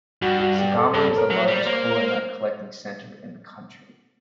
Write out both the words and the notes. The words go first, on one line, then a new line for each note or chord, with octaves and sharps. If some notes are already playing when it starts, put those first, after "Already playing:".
Sagamu is the largest kola nut collecting center in the country.
G2 F#4
F#4
G4
A4
G2 A4
A4
A#4
F#3
C5
G3
D5
A#3 C5
A#4
C5